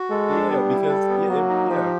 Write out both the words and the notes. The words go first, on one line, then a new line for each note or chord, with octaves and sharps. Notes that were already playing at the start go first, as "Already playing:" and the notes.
Yeah, because yeah, eh Yeah,
Already playing: F#4
G#3 A4
D4
G3 B3
E4
A4
B3
F#3 A#3
D#4
F3 G4